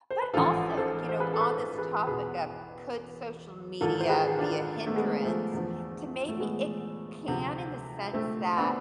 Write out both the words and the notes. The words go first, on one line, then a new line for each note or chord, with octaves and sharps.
but also, you know, c on this topic of "Could social media be a hindrance?" To maybe it can in the sense that
C5
B4
A1 G#2 F3 F4 A4
A4 C5
C5
G#4 B4
A4
B4
A4 C5
G#4 B4
E2 B2 G#4 B4
G#1 G#2 E3 F4 A4
C5
G#4 B4
G#4
D4 F4
A3
G#3 B3
F3 A3
E2 D3 F3
A3
G#3 B3
D2 C3 F3
A3 C4
B3 D4